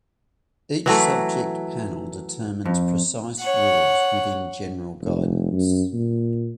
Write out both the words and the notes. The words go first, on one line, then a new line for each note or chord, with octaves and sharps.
Each subject panel determines precise rules within general guidance.
E3 F#3 A3
F2
C#5 F#5
F1
F#2
A#2